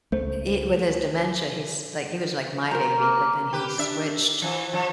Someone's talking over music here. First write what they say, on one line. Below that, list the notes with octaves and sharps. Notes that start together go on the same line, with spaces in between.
i with his dementia he's Like, he was like my baby, but then he switched
C#2 A3 C5
A#4 C5 A#5
A#3
G4 B4
D4 E5
E3 F3
F3